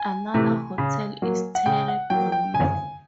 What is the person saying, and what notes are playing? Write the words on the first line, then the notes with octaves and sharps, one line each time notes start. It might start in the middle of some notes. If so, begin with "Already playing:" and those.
Another hotel is Terre Brune.
Already playing: G#5
C3 E3 A3
C#3
F#3 A#3
F#5
C#3 G5
F#5
F#3 A#3 G5
G5
C#3 G#5